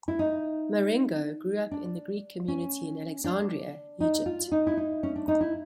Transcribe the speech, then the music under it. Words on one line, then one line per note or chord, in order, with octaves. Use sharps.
Marengo grew up in the Greek community in Alexandria, Egypt.
E4
D#4
D4
C#4
D4
D#4
F4
D#4
E4
D#4
C#4
D4
D#4
E4